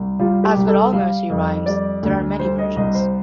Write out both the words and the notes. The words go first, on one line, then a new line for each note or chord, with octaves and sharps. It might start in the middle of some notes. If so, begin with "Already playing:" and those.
As with all nursery rhymes, there are many versions.
Already playing: C2
G3 F4
G4
C2
A4
G3 F5
F2
G3 D5
D2
G3 C5
D#5
C2 D#5
C5